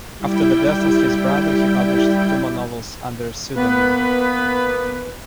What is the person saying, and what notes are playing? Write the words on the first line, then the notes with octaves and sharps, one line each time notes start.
After the death of his brother, he published two more novels under a pseudonym.
G3 E4 G5
A#3 B3 B4